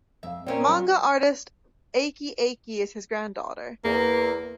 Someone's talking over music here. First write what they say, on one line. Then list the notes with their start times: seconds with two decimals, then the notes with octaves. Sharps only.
Manga artist Eiki Eiki is his granddaughter.
0.23 F2 E5 F5
0.46 A#2 C4 C#4 A#4 D5 E5
0.68 F#3 F#4 C#5
3.84 E2 A#3